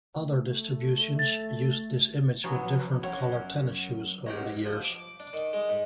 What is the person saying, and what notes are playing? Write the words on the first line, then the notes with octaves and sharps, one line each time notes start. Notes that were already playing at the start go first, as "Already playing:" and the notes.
Other distributions used this image with different colored tennis shoes over the years.
A3
A6
F3 F#3 B3 C#4 F#4
F#2 C#5 F#5
G4 B4 C#5 D#5 F#5 G5
F3
D6
D4
D#3
G#3
G#2